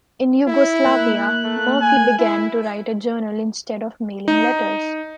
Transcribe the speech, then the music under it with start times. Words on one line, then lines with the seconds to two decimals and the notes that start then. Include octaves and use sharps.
In Yugoslavia, Murphy began to write a journal instead of mailing letters.
0.47 E4
0.85 A#3 F#6
1.44 A3
1.81 G#5
2.19 E4
4.28 D#4